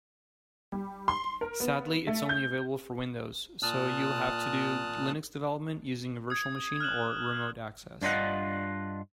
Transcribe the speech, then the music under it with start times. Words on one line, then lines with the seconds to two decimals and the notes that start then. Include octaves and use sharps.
Sadly, it's only available for Windows, so you'll have to do Linux development using a virtual machine or remote access.
0.72 G3
1.08 C6
1.41 A#4
1.60 B3
2.07 A3
2.29 G6
3.63 A#2 A5 D#6 F6 F#6
6.30 D#6 G#6
6.80 F6 F#6 E7 F#7
8.02 G2 D4 F4 D#5 F#5